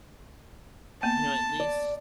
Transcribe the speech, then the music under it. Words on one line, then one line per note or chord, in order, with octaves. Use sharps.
you know, at least
A#3 B3 A5
D5